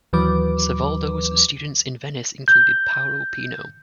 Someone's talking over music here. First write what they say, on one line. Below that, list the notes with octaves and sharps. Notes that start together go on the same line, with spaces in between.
Savoldo's students in Venice included Paolo Pino.
D#2 E3 F#3 B4 D6
G6